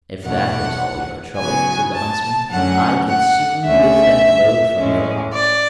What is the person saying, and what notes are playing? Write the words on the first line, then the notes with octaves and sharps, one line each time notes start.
'If that is all your trouble,' said the Huntsman, 'I can soon lift that load from your heart.'
E2 B2 A3 D4 F#5
C#3 F#3 B3 G#5
A5
A5
F#2 D3 F#3 A3 C#4 F#5
F#5
D2 D3 A3 C#4 E5
A2 G#3 C#4
D5